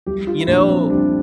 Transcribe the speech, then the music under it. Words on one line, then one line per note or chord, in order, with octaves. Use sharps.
You know
C2 G4
F4
E4
A#2 F3 D4
C4
C2 D4